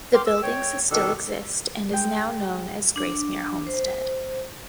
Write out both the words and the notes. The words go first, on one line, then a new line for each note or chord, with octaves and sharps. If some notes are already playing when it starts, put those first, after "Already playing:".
The buildings still exist and is now known as Gracemere Homestead.
G5 C6 D6 F6
E6
C#5 G5
B2 D#3 D4 A4
G#3 G5
D4
C5